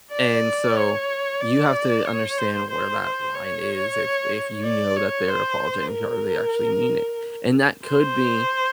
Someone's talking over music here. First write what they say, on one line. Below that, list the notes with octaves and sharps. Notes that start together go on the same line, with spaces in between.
and so, you have to understand where that line is, if if you know that they're apologizing to you they actually mean it, and that could be,
D5
C#5
D5
C#5
C5
C5
C#5
D5
C#5
C5
A#4
C5